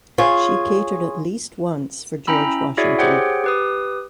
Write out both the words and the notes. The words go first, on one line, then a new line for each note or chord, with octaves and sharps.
She catered at least once for George Washington.
F4 G#4 C#5
C#4 E4 G5 A#5 B5 E6
E4 F#4 G#4 C#5 D5 E5
G4 G#4 C5 C#5 F#5 G5
G4 B4 D#6